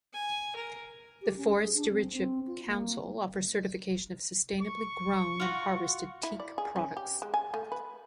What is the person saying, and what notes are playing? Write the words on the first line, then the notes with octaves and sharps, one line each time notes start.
The Forest Stewardship Council offers certification of sustainably grown and harvested teak products.
G#5
A#4
G4
C#4
G#4
D4
C4
C4
F4
A#3
C#6
F4 F#4
E4
D5
G#4
C#4
G4
G#3
G#5
A3
B4